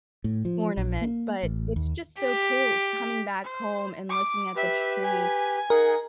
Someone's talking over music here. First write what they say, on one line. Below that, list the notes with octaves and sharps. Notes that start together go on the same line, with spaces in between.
ornament. But it's just so cool coming back home and looking at the tree,
A2
F3
A#1
A#3
A1
D#2
G4
C5
D6
G4 B4 E5
G#5
D#4 G#4 A#4 F#5